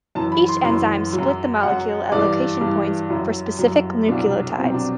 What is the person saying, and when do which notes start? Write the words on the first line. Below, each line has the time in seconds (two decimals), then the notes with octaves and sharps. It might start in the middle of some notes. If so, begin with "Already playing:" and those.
Each enzyme split the molecule at location points for specific nucleotides.
0.15 F#2 E3 A5
0.32 B5
0.49 C6
0.64 F#2 E3 C6
1.13 F#3
1.18 F#2
1.63 F#2 F#3 F#5
2.12 G2 E3 D5
2.61 G2 E3
3.10 F#2 F#3 E4
3.59 F#2 F#3
4.08 C2 B2 F#3 D4
4.58 C2 B2 F#3 C4
4.74 D4